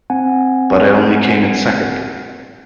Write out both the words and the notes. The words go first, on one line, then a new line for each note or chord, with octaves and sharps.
But I only came in second.
C4 F#5 G#5